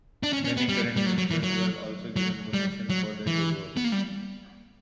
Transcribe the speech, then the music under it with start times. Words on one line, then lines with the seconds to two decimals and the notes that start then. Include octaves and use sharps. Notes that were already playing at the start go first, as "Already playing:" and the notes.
Many current ministers were also given promotion for their good work.
0.23 D4
0.33 C#4
0.45 C#4
0.57 B3
0.69 G3
0.97 G3
1.06 F#3
1.18 F#3
1.31 E3
1.43 F#3
2.16 F#3
2.53 G3
2.90 F#3
3.27 E3
3.77 B3
3.84 A#3
3.92 G3